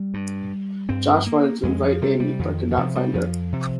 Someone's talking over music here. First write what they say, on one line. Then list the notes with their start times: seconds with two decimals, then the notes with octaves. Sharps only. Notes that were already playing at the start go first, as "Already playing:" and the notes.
Josh wanted to invite Amy, but could not find her.
Already playing: G3
0.14 G2
0.89 G2 C4
1.26 A#3
1.63 F2 G#3
1.83 F3
2.02 C3 G3
2.20 G3
2.40 F2 D#3
2.71 D#3
2.77 C3 F3
2.95 G3
3.14 F2 F3
3.53 C3